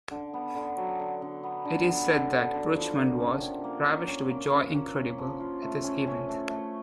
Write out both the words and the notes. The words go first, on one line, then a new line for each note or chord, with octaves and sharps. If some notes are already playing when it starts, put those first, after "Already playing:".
It is said that Richmond was "ravished with joy incredible" at this event.
D3
B3
D3
F#3
D3
D3
B3
D3
B3
D3
D3
D3
F3
A#3
C#4
C3
A#3
C#4
C#4
A#3
C#4
C#4
C#4
F3
F4
A3
C#4
C#4
A3
A3